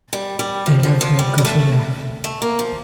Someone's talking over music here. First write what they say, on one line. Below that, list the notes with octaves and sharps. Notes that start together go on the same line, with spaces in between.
I love her goofy laugh.
G3
G3
F3
F3
F3
G3
G3
A3
A3
A#3
F3